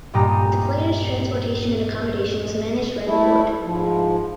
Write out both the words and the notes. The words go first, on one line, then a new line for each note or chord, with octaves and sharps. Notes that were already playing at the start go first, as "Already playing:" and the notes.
The players’ transportation and accommodation was managed by the board.
G2 A#2 G4 D#5 A#5
A3 E4
G#2 F3